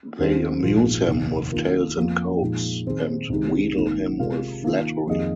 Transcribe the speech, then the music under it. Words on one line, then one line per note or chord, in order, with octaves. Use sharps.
They amuse him with tales and coax and wheedle him with flattery.
D#2 D#3 C4 D#4 G#4
A#1 G#2 F3 G#3 F4
F1 D#2 D#3 A#3
D#3 A#3 F4 A#4
F2 F3 A#3
A#2 F3 G#3 D#4
D#3 C4 D#4 G#4
C2 C3 D#3 G#3 D#4
G#1 G#2 D#3 A#3
C3 G#3 F4 A#4 F5
D#3 A#3 F4
F2 D#3 A#3 G#4 D#5